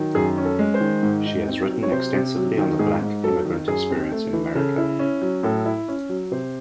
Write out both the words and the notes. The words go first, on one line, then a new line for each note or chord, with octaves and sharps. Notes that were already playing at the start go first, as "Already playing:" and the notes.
She has written extensively on the Black immigrant experience in America.
Already playing: D#3 F#3
F#2 G#4
C#4
A4
G#3
C5
D#3
G#2
D#4
C4
F#3
C#5
C3 C5
C3
F#3
D#3
G#2 G#4
G#2
F#3 A4
D#3
F#2 G#4
C4
A3
E3
C#3 A4
E4
C#4
F#3
A2 A4
E4
C#4
F#3
C3 C5